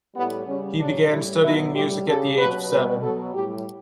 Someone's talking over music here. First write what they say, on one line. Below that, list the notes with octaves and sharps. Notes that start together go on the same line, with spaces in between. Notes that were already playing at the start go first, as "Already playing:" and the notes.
He began studying music at the age of seven.
A2 G3 B3
C#3 G3 C#4
C#3 F#3 D4
A2 G3 E4
B2 F#3 E4
A2 G3 G4
C#3 G3 A4
B2 F#3 B4
B2 G3 B4
B2 F#3 A4
A2 G3 G4